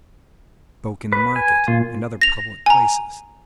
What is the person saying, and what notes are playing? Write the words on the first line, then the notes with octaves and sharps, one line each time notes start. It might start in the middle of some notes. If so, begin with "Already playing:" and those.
He spoke in the market and other public places.
B4
G#5
A#2 F4
A#6 F7
G#5 A#5